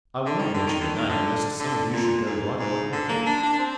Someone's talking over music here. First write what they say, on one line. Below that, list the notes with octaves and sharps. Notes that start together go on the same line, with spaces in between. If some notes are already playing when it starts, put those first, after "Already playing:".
I will not mention the name, lest some of you should go right away and get it.
D3
D#3
D3
D#3
D3
D#3
D3
D3
A#2
G#2
G#2
D3
A#3
D4
D4
D4
C4